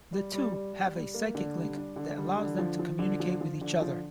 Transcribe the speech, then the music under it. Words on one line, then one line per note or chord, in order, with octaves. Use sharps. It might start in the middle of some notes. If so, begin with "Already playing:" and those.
The two have a psychic link that allows them to communicate with each other.
G3
G3
G3
G3
G3
A#3
D3
G3
D4
D3
G3
D3
F3
F3
D3
F3
F3
D3
F3